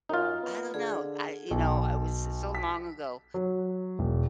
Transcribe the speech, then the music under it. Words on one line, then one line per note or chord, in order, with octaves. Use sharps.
I don't know. I you know, I was it's so long ago.
F#2 D#4 F4
B3
D3 G#4
B1
B6
F#3
E1